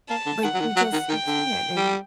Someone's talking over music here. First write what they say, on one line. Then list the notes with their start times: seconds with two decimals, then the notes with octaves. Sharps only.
Like, we just we can't." And
0.10 A#3 A5
0.26 D3
0.44 D#3 F#5
0.55 F#3
0.61 D#3
0.77 F#3
0.93 D#3
1.09 D#3 G5
1.27 D3
1.76 G3